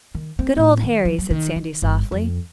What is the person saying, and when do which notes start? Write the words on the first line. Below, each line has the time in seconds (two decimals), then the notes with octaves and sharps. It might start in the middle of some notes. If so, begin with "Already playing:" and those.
'Good old Harry,' said Sandy softly.
0.15 D#3
0.39 C4
0.57 A2
0.83 D#3
1.05 F3
1.19 F#3
1.31 D#3
1.56 D#3
1.82 G1
2.12 F2